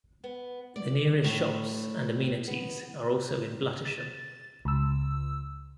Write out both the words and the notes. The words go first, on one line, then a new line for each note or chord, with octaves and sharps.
The nearest shops and amenities are also in Bluntisham.
B3
D5
A2
B3
A6
C#2 E6